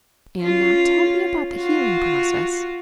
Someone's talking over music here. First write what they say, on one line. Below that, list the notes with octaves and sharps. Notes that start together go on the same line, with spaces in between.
"And now tell me about the healing process."
C#4 F4
F4 F#4